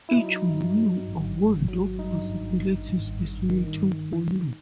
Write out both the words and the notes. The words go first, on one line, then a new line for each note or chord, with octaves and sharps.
Each morning, a world of possibilities is waiting for you.
E4
F#3 D#4
G2
F#3
G#1
G#1
F#3
G2 D#4
G#1
G2
G#1
G2
D#3